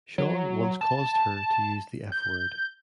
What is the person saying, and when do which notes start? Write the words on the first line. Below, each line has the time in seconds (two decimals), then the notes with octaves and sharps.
Sean once caused her to use the F-word.
0.18 F#3
0.81 A5
2.12 G6